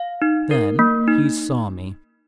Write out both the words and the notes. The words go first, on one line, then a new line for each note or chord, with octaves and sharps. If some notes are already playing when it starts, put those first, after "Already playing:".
Then he saw me.
Already playing: F5
D#4
A#4
A#3
D#4